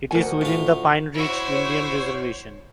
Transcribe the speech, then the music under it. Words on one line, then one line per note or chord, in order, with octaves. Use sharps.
It is within the Pine Ridge Indian Reservation.
D2 F#4 A#4 G#5
A2 F4
E4 F#4 C5 C#5